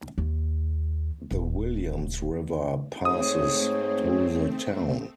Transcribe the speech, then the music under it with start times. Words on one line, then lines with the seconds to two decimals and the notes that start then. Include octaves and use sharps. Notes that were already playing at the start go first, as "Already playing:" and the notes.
The Williams River passes through the town.
0.18 D#2
1.31 D#1
3.05 G#2 A3 C4 C#5 D#6